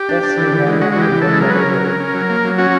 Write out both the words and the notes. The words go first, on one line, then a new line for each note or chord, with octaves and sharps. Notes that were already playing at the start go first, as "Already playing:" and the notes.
Thus he had a prebendary role.
Already playing: G4
D4
D4
E3
E3
G#3
G#3 F#4
F#4
E3
G4
E3
G#3 A4
F#3 A#4
B4
C#4 A#4
F#3
C#4
C#4
F#3
A#3
F#3
C#4 F#4